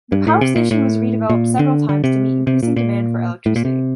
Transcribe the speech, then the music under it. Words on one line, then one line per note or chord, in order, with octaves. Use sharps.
The power station was redeveloped several times to meet increasing demand for electricity.
G2
A2
C3
A#2
A2
A#2
D3
D3
C3
C3
A#2
A#2
A2
A#2
C3